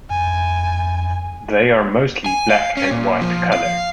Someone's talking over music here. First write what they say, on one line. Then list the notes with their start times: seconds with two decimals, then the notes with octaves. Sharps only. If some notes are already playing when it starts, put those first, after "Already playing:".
They are mostly black and white colour.
0.10 F2 G#5
2.26 G#5
2.50 F5
2.77 C#4
2.91 A#2
3.21 F3
3.53 F5